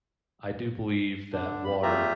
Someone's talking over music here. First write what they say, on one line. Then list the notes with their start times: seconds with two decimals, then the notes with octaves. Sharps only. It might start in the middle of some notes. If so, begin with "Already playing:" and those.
I do believe that water
1.33 D3 D4
1.65 F2 B5
1.82 E2 A3 F4 G4 E5 A#5